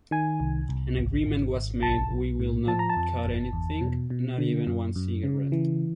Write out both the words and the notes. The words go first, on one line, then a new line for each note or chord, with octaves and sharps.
An agreement was made, We will not cut anything, not even one cigarette.
D#3 G#5
C2
C2
G#1
G#1
G#1
B1 A5
B1
A2
F3 A5
A#5
A5
F2
G1
E2
B2
B2
D3
F#2
F#2
C#3
E3